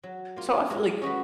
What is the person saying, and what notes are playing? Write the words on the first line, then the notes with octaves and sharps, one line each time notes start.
so I feel like, you
F#3
A#3 F4
G#3
C#4 F#4 B4 D#5